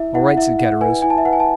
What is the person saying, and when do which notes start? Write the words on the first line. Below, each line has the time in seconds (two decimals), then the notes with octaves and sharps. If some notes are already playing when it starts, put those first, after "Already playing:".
"All right!" said Caderousse.
Already playing: E4 E5
0.15 E4 F#5
0.28 F#5
0.37 E4 E5
0.59 E4 F#5
0.81 B4 G#5
1.02 E4 G#5
1.10 A5
1.18 E5
1.25 B4 F#5
1.33 G#5
1.40 A5